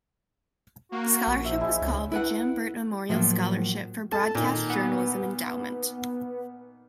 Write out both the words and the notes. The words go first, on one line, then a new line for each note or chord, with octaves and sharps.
The scholarship was called the Jim Burt Memorial Scholarship for Broadcast Journalism Endowment.
A#3 F#4
A#1
F3 E5
D#4 E4 G#4
C#2 D3 C#5 G#5
E4 B4 F#5
A2 F3 F#3 A#3
A4 A5
A#2 D#3
B3